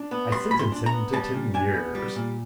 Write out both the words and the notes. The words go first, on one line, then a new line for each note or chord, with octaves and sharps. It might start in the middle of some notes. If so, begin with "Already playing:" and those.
I sentenced him to ten years.
Already playing: D4
B3
G3 C6
A#2 B5
C6
D4
A#5
B3
G3 A5
A#2
D4 G#5
B3
G3
A#2